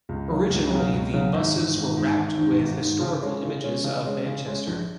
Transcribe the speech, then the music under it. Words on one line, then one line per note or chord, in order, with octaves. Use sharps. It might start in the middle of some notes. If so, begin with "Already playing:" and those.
Originally, the buses were wrapped with historical images of Manchester.
C#2
C#3 F#3
C#2
C#3 F#3
C#2
C#3 F#3
G#1
G#2 D#3
G#1
G#2 D#3
G#1
G#2 D#3
G#1
G#2 D#3
C#3
G#3 C#4
C#3
G#3 C#4
C#3
G#3 C#4
C#3
G#3 C#4
A#1